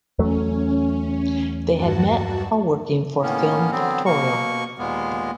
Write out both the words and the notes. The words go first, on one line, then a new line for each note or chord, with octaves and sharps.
They had met while working for "Film Pictorial".
E2 F#3 A3 C#4
G2 F#4 A5
A2 D#3 A#3 B3 C#4
D3 F#3 B3 C4
B2 A#3 C#6
D#2 A#2 G#3 A#3 B3